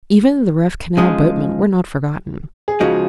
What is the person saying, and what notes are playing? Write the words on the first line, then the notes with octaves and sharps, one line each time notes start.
Even the rough canal boatmen were not forgotten.
C#3 F3 G#3 D#4
G#4
C#2 C#3 F3 G#3 D#4 F#4